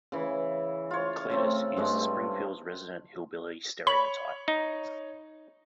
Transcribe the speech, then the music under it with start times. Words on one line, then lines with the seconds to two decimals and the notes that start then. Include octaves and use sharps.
Cletus is Springfield's resident hillbilly stereotype.
0.12 C#3 E3
0.91 F4 C#5
1.30 C#3 A3 C4
1.77 G2 G#3 A3
3.87 C#5 B5 C#6
4.48 D#4